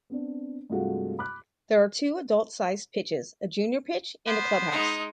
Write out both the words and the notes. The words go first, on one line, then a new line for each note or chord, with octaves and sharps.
There are two adult sized pitches, a junior pitch and a clubhouse.
B3 C4 D4
G2 C3 G#3 A3 F4 F#4
B5 D6 F6 F#6
B3 C5
G#3 D#4